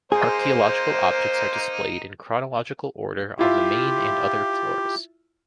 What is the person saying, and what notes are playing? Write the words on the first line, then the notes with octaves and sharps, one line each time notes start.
Archaeological objects are displayed in chronological order on the main and other floors.
A#3 D#4 G#4 C5
E4 F4 G4 E5